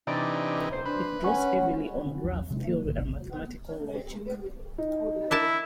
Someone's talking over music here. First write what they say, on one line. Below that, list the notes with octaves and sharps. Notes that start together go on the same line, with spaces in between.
It draws heavily on graph theory and mathematical logic.
C3 E3 D4 D#4 D5
C5
D4 B4
C#4 F#5
D3 C4
A#1 E2 F#3
C3 F#3 G#3
D#3 A#3
B1 G#2 D3 E3
D1 G#1 D2 C3
D#4
D4 E4 A#4 A5